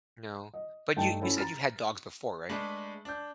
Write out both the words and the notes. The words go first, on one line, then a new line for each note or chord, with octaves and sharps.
No. But you you said you've had dogs before, right?
D#5
G2 A3 D#4 G5 A5
C#4 E4 F#4 A4 C#5
A#5 B5 F6 A6
G#3 A3 D4 B4
D4 G6